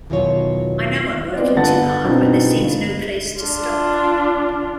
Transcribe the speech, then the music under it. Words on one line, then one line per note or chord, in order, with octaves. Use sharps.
I know I'm working too hard but there seems no place to stop.
E2 B2 D#3 F#3 F4 C#5
B3 C4 F4 D5 D#5
G1 B3 F#5 A5 A6
G2 B2 C4 D#4 F4
G1
D4 F4